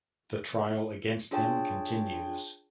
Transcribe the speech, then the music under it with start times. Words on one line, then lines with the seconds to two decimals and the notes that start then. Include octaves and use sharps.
The trial against him continues.
1.31 D4 F4 G#4 C#5 G5 A5